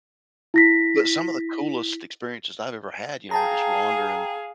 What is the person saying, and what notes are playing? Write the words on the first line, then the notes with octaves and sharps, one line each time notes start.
But some of the coolest experiences I've ever had, you know, are just wandering
E4 A#6 B6
G#4 F5 G5 A5 A#5